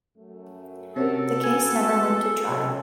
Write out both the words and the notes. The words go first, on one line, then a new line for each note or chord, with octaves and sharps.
The case never went to trial.
F#2 A3
C3 C#4 F#4 A4 A#4
B3 G#5
C3 F#3 G#3 C#4